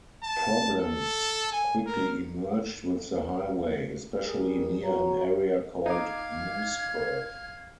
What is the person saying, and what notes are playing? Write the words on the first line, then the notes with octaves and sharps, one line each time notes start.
Problems quickly emerged with the highway, especially near an area called "Moose Curve".
A5
A4
G#5
A#4
G3 G#4 A#4
F#4 C#5 A#5
D#4 F5 D6 G#6